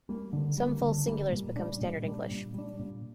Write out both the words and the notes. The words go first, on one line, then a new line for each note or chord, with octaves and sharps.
Some false singulars become standard English.
G3 A#3
D3
G3 A#3
D3
G3 A#3
A#2
G3 D4
A#2
G3 D4
A#2
G3 D4
A#2